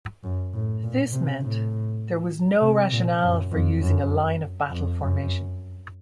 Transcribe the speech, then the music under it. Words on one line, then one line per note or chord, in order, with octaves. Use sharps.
This meant there was no rationale for using a line-of-battle formation.
F#2
A2
A#2
C3
A2
C3
A#2
F#2
F2
F#2
F2
F#2